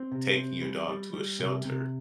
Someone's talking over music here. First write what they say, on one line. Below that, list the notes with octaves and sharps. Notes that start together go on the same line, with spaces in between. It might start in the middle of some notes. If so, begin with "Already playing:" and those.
taking your dog to a shelter
Already playing: C4
C3
C4
G3
G3
G3
C3
C3